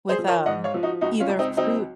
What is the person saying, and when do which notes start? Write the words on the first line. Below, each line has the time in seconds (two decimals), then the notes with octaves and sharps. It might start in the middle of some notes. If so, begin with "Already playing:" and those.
with, um, either fruit
0.09 G#4 C5
0.18 F3
0.28 A#4 C#5
0.46 G#2 D#5 F#5
0.64 C#5 F5
0.74 F3
0.83 D#4 F#4
1.01 C#2 D#4 F#4
1.20 C#4 F4
1.29 C#2
1.39 C4 D#4
1.57 F#3 C4 D#4